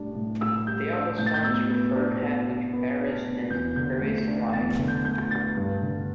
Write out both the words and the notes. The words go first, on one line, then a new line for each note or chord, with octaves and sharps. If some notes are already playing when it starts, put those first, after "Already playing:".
The album's songs refer heavily to Paris, and Parisian life.
Already playing: A2 G3 D4
A2
A2 E6
G3 G6
D4 E6
A2 G6
A6
G6
B2 E6
B3
D4
B2
B2
B3
D4
B2
E2 G6
D3 G6
A3
D4
E2 A6
D3
G6
A3 G6
D4 A6
G2
D3